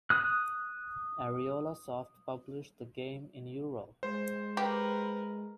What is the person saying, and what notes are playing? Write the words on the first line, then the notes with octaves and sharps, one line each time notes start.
Ariolasoft published the game in Europe.
D#6 F#6
G#3 C5
G4 A#4 B4